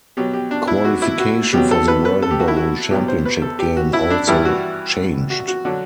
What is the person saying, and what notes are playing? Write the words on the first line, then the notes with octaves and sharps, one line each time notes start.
Qualification for the World Bowl championship game also changed.
B2 F#3 G4
G4
D4
E4
F#4
E4
F#4
B2 F#3 G4
A4
B4
B4
A4
G4
F#4
E4
F#4
E2 B2 F#3 G4
C5
B4
A4
G4
F#4
E4
D4
G2 E3 G3 E4
F#4
F#4
F#4
D3 F#3